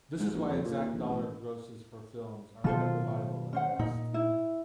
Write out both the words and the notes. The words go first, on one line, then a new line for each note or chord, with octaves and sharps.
This is why exact dollar grosses for films are unreliable at best.
G#2
A#1
F2
A#2
D#2
A#1
A1
B2 D#3 F#3 F4 A4 C5
C#4 C5 F#5
A#2 D#4
E4